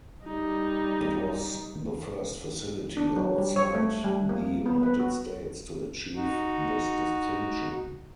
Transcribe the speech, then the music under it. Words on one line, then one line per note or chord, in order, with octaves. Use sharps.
It was the first facility outside the United States to achieve this distinction.
G3 D#4
D4
F#3
G3
C#5
A3
G3
A#3
B3
B4
F#4
D#4 F#4